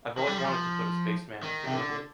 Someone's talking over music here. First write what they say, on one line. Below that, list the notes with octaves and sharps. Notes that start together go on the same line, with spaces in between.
I've always wanted to put a spaceman into orbit.
D#3
G3
F3
G3
F3
D#3
C3
D3